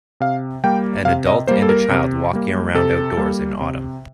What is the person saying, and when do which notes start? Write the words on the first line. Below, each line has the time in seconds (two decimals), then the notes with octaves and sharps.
An adult and a child walking around outdoors in Autumn.
0.20 C3 F5
0.64 G3 A#3 G5
1.05 C3 F5
1.27 D#5
1.47 G3 A#3 C5
1.63 A4
1.69 A#4
1.90 C3
2.33 G3 A#3
2.74 C3 A4
3.17 G3 A#3
3.60 C3